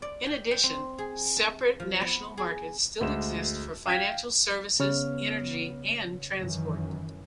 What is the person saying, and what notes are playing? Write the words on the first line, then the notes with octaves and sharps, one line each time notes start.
In addition separate national markets still exist for financial services, energy and transport.
D5
G5
G5
C4
G#4
A5
F3
B3
G#4
D2 G#3 E7
F5 G5 G#6 B6
C#3 B3 C#5 F6
F#2 D#3 E3